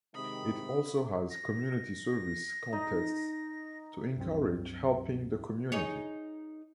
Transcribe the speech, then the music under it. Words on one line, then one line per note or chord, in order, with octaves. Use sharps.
It also has community service contests to encourage helping the community.
C3 D#3 G#3 B5 D#6
A#6
D#4
C#2 G2 F#3 C4
D#4 G#4 C#5